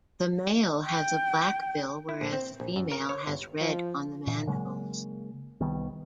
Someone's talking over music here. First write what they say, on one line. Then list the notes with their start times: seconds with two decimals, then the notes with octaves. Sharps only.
The male has a black bill, whereas the female has red on the mandibles.
0.87 G5
2.09 E4
2.21 A#1
2.33 C4
2.60 A#1
2.76 F#2
2.92 A#4
3.09 C#5
3.27 G1
3.60 F3
4.27 A#2 E3
4.47 C#3 F#3 G#3 A#3
5.60 C2 D#3 G3 B3